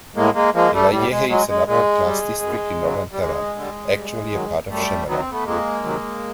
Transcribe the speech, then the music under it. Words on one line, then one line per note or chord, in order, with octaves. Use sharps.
Elahiyeh is an upper class district in Northern Tehran, actually a part of Shemiran.
A2 G#3 A#3
G#3 A#3
F3 G#3 A#3
G3 A3
A2 G3
G#3
F#3 G#3
G#3
A#2 G#3
G3
F#2
C#3 F#3
G3
D#2 G#3
D3 G3
G2
D#3 F#3
F#2 G3 A3
D#3 F#3 B3
C4
A3 B3
F2 G#3 A#3
C3 D#3 F#3